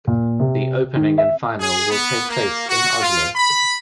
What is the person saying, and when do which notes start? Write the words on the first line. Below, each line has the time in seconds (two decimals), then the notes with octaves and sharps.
The opening and final will take place in Oslo.
0.07 A#2
0.40 C3
0.95 D#3
1.18 E5
1.60 G#4
1.90 B3
2.29 A#3
2.68 F#4
3.01 F4
3.36 B5